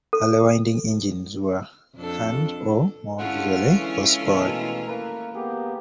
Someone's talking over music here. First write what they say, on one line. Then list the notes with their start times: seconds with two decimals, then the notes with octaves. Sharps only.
Early winding engines were hand, or more usually horse powered.
0.13 A4
1.96 F2 D4 A4
3.19 D3 G#3 C#4 E4 F4 F#5
3.75 E3
4.22 B2 D#3 E3 A3 A4
4.87 A#3 A#4 B4
5.34 A#3 B3 G4 G#4